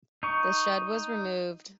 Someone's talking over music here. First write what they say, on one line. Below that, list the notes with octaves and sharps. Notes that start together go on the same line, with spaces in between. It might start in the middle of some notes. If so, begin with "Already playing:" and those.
The shed was removed.
D#4 C#6